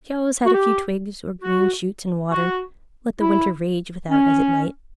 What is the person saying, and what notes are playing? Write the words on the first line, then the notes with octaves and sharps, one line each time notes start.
She always had a few twigs or green shoots in water--let the winter rage without as it might.
F#4
G4
F#4
F#4
E4
C#4